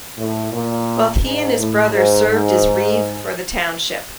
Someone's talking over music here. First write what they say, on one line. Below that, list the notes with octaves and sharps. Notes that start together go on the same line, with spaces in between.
Both he and his brother served as reeve for the township.
A2
A#2
G#2
A2
G#2
G#2